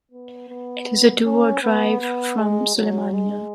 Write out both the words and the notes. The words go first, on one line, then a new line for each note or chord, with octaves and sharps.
It is a two-hour drive from Sulaimaniyah.
B3
B3
C#4
B3
B3
G#3
F#3
G#3